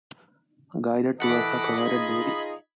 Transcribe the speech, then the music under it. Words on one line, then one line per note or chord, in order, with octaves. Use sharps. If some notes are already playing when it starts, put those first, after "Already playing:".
Guided tours are provided daily.
E3 A4 D#5 F#5 B5 D6
D#4 F4 G#4 B5 G#6